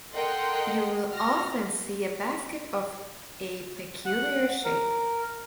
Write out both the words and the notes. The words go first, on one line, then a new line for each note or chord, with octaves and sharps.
You will often see a basket of a peculiar shape.
A4 A#4 D#5 F#5 G5 C6
F#4 F6 A#6
F#5
A#4